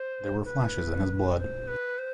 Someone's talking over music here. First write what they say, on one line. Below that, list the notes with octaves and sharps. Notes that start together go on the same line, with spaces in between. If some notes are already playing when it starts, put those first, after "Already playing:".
There were flashes in his blood.
Already playing: C5
B4
C5
B4
C5